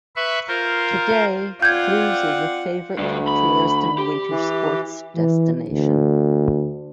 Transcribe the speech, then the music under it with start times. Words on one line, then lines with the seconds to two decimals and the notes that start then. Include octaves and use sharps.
Today, Cluses is a favorite tourist and winter sports destination.
0.16 B4 E5 B5 C#6
0.48 F4 A#4 C5
1.62 C4 F4 D5 F#5 G6 G#6
2.99 D2 G3 D4
3.28 B5
3.98 G4
4.31 E3
5.17 E3
5.70 D2